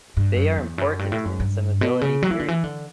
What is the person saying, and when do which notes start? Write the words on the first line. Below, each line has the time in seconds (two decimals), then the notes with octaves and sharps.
They are important in summability theory.
0.17 G2
0.36 F#2
0.58 E2
0.78 F#2
0.99 G2
1.12 A2
1.26 F#2
1.40 G2
1.81 B2
2.01 C#3
2.23 F#3
2.30 E3
2.40 D3
2.48 E3
2.64 D3